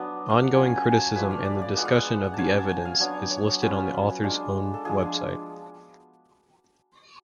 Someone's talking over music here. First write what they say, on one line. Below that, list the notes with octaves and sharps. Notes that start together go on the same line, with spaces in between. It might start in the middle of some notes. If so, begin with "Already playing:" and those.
Ongoing criticism and discussion of the evidence is listed on the authors' own website.
Already playing: F#3 B3 D4
F5
F#5
F#3 C#4 F4 G#5
G#5
A5
G#5
F3 A3 D4 F4 B4
F5
D5
D5
G#3 B3 F4 F#5
F5
F#5
F#3 C#4 F4 G#5 A5
A5
G#5
F5
F#3 B3 D4 C#5
C#5
F#3 C#4 F4 B4
G#3 D4 F4
A4
F3 G#3 D4 F4 G#4